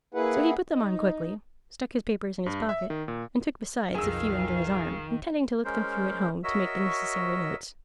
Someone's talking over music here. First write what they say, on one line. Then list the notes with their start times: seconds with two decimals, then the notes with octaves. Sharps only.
So he put them on quickly, stuck his papers in his pocket, and took besides a few under his arm, intending to look them through at home to make the necessary notes.
0.14 A#3 E4 G#4 B4 F#5
0.70 D#4
2.46 G2
2.69 E5
2.90 D#3
3.08 A#2
3.95 B1 F2 D#3 G#4 F5 E6
5.65 G#3 C#4 A#4 C5
6.44 F#4 A#4 C#5 D#5 E5 E6